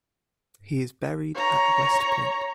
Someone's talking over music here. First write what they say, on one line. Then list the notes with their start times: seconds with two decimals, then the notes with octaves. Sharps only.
He is buried at West Point.
1.35 C#5 A#5